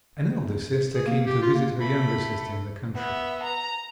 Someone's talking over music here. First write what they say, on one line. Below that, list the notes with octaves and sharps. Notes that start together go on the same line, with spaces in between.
An elder sister came to visit her younger sister in the country.
G#4
A#3
G4
F4
A#3
A3 B5
B3 E5
A#5